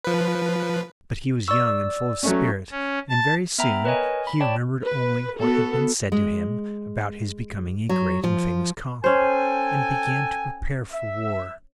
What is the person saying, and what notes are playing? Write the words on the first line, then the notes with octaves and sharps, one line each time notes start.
But he was young and full of spirit, and very soon he remembered only what had been said to him about his becoming a great and famous conqueror and began to prepare for war.
F3 B4
D5 C#6 E6
F#3 A3 C#4
C#4
A5
B3 E5 G5 A#5 B5
A#4 B4 C#5 D#5 G#5
B5
C#5 D5 G5 A5
B4
B3 F#4 A4
G#3
F#3
F3
C#4 A4 C5 G5 G#5
E5